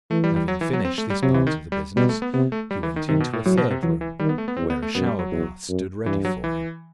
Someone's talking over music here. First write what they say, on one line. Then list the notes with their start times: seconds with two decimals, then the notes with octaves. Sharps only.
Having finished this part of the business, he went into a third room, where a shower bath stood ready for him.
0.11 E3 A3
0.24 G3
0.36 G3
0.48 F#3
0.61 E3
0.73 F#3
0.85 C4
0.98 A3
1.10 G3
1.23 C3 F#3
1.34 E3
1.47 D#3
1.72 G3
1.96 B2 G3
2.09 A3
2.22 B3
2.34 C3 B3
2.52 A3
2.71 G3
2.83 E3
2.96 D#3
3.09 C3 D#3
3.20 B2
3.33 A2
3.45 A2 F#3
3.57 B2
3.71 C3
3.83 E3 F#3
4.01 E3
4.19 D#3 G3
4.29 B3
4.38 A3
4.48 B3
4.57 E2 C4
4.70 B3
4.82 A3
4.95 F#2 B3
5.06 G3
5.19 F#3
5.31 E2
5.69 F#2
6.06 G2 E3
6.25 F#3
6.44 E3